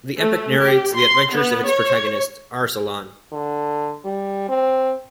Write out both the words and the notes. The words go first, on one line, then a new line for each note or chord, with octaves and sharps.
The epic narrates the adventures of its protagonist, Arsalan.
A3
G4
C6
B3
C#5
D3
G3
C4